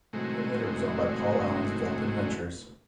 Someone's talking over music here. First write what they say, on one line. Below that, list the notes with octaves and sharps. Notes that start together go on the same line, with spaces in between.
It later was owned by Paul Allen's Vulcan Ventures.
A2 C3 D#3 F#3 G#3